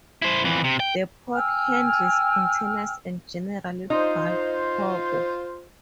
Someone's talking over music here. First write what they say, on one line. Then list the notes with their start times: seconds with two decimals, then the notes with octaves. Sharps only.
The port handles containers and general bulk cargo.
0.22 E4 C5
0.44 F2 E3
0.64 C3
0.80 G5
1.34 G5 G#5 E6 F6
3.90 D#4 F4 C5